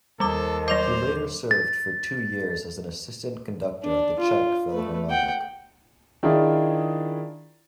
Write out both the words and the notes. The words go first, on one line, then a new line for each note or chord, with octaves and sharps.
He later served for two years as an assistant conductor at the Czech Philharmonic.
D#2 G3 A4 D6
F#3 C5 D#5 D6 F7
A6
D4
F4
A3 B4
F#5 G5
D#3 D4 E4 F4 G#4 D5